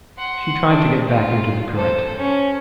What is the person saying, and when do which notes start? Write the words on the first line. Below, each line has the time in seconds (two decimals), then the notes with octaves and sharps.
She tried to get back into the current.
0.18 F#5 C6
0.69 D4
1.09 F4
1.74 A4 C5
2.16 C#4